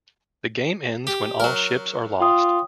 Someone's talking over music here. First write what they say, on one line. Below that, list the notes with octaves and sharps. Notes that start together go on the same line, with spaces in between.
The game ends when all ships are lost.
G4
F#3 A#4
F4 G5 D#6